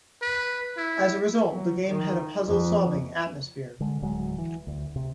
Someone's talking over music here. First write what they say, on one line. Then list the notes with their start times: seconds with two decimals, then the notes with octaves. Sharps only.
As a result, the game had a "puzzle-solving" atmosphere.
0.22 B4
0.77 E4
1.52 F#3
1.88 D#3
2.46 F2
3.80 D3 G#3
4.02 D1 D2 F#3 G#3
4.38 E3
4.67 D2
4.96 C3